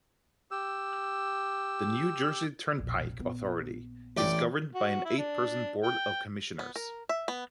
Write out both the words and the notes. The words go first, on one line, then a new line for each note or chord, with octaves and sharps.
The New Jersey Turnpike Authority is governed by an eight-person Board of Commissioners.
G4 E6
E1 A#1
A#1 B3
A1 D5 G5
F#4
E4
D4
G5
B3
A#4
E5
B3